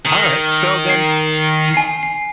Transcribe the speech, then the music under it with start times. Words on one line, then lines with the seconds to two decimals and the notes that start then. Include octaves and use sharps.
All right, so then,
0.05 D#3
0.90 C7
1.74 G#5 C7
2.03 C7